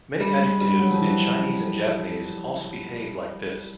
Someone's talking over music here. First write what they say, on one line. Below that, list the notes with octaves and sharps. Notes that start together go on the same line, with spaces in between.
Many adjectives in Chinese and Japanese also behave like this.
G3
G#3
G3
F#3
F3
E3